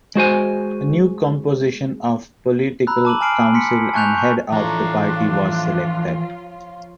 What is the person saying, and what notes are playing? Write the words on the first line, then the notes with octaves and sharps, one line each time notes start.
The new composition of the Political Council and Head of the Party was selected.
G#3 F#4 C5 G#5
A#5 B5 E6 F#6
A5 D6 D#7 F#7
G#5 A5 F6 C7 D7 F#7
C6 B6 C#7
G#5 A5 C#6 F#6 G6 F7
A5 C#6 G6
E3 F3 D4 F4 A4 C#5 A#5 C#6